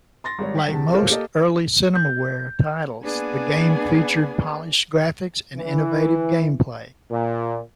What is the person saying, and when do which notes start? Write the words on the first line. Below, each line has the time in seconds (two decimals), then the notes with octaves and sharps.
Like most early Cinemaware titles, the game featured polished graphics and innovative gameplay.
0.24 C6 A6 A#6
0.38 G#1 G3 C#5
0.55 G5 B6
0.68 E2 C3 A5
0.93 F4 G4 A4 A#4 C5 C#5
1.10 A#3 G4 A4 D#5
1.95 G6
3.03 A#3 B3 D4 G#4 B4 G#5
5.56 E3
7.11 A#2